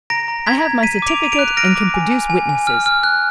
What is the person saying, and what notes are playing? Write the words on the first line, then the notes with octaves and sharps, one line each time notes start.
I have my certificate and can produce witnesses.
A#5 A#6 D7
A#5
A#5 G#6 B6
A#5
A#5 B6 D#7
D6
D7 F7
A#5 D#7
D7 F7
F#6
F6 A#6 D7
D6
G#5
G#5
G#5
G#5
F6
F6
F#6